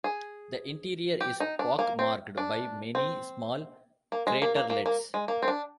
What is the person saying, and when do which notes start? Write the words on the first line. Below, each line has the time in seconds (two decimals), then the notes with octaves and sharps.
The interior is pock-marked by many small craterlets.
0.04 G#4
1.21 G4
1.40 D#4
1.59 D4
1.79 A#3
1.99 C4
2.37 D4
2.95 C4
4.12 A#3
4.27 G#3
4.42 A#3
4.56 A#3
4.70 A#3
4.86 A#3
5.14 G#3
5.28 A#3
5.42 C4
5.48 D4